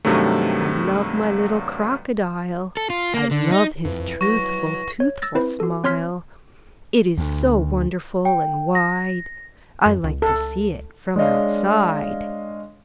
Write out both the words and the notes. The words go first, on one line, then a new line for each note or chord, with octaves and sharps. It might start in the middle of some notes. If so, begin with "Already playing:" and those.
'I love my little crocodile, I love his truthful toothful smile; It is so wonderful and wide, I like to see it--FROM OUTSIDE.'
G2 C3 D#3 F#3 A3
A4
F4
A#3
D3
D#4
F2 E3
E3
F#3 C#6 A#6
C#5
E6 A6 A#6
C4 E4 B4 C5
F#4 A4
C4 C#5 C6 F6 B6
D2
G5
A#6
F#2
C#2
A4
G#3 D4 C#5 D#5 F5